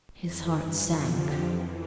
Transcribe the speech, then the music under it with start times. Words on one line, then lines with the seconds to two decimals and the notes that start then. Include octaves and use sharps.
His heart sank.
0.22 F2 E3 C5
0.52 G2 E3 B4
0.82 F2 D3 F3 A4
1.13 F2 D3 F3 G4
1.42 F2 E3